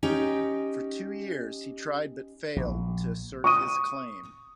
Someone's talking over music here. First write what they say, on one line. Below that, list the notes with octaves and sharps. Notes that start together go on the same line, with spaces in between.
For two years he tried but failed to assert his claim.
C#4 D#4 G4 G5
A#1
C#6 D#6 D#7